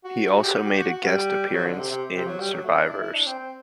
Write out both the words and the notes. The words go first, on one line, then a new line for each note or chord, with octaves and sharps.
He also made a guest appearance in "Survivors".
F#4
G4
F#4
G4
F#4
F#4
G3
G3
F#3
D3
C3
C3
C3
F#3
G3
F#3
A3
C4
D4
E4
E4
D4
C4
C4